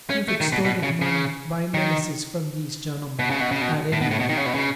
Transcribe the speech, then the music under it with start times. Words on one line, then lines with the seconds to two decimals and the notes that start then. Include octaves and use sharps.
"You've extorted money by menaces from these gentlemen, at any rate."
0.10 C#4
0.28 A3
0.41 D#3
0.52 B2
0.65 B2
0.83 C#3
1.02 C#3
1.74 D#3
3.19 B2
3.30 C#3
3.41 B2
3.51 C#3
3.61 B2
3.92 A2
4.01 B2
4.11 A2
4.19 B2
4.29 D#3
4.37 C#3
4.46 B2
4.54 C#3